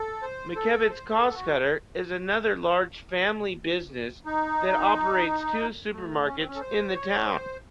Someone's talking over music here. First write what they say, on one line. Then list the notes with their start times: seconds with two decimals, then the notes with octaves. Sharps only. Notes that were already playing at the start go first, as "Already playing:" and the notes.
McKevitt's "Costcutter" is another large family business that operates two supermarkets in the town.
Already playing: A4
0.22 C5
0.56 A4
0.90 C5
1.12 A4
1.34 F#4
4.26 D#4
5.93 A3
6.26 C#4
6.37 C4
6.47 C#4
6.55 A4
6.61 C5
6.95 C#5
7.28 C5